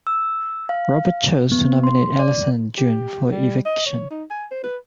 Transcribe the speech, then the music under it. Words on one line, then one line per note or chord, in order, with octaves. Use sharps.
Robert chose to nominate Alison and Jun for eviction.
E6
F5
B3
C6
D5
G4
G3
D#5
C#5
D#4
G#5
C5
B4